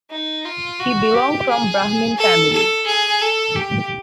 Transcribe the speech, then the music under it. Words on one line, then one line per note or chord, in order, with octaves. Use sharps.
He belong from Brahmin family.
D#4
F4
F#4
G4
G#4
A4
A4
G#4
A4
G4